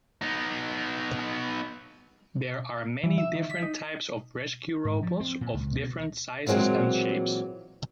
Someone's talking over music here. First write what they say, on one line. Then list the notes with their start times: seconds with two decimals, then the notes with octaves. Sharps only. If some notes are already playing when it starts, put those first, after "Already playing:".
There are many different types of rescue robots of different sizes and shapes.
0.21 B3 D#4
3.04 E3
3.18 E5
3.35 D#3
3.50 B6
3.63 D#4
4.85 G#2
5.03 F3
5.20 C4
5.41 A#2
5.54 C#2
5.75 B2
6.47 A#2 E3 F#3 G#3 C4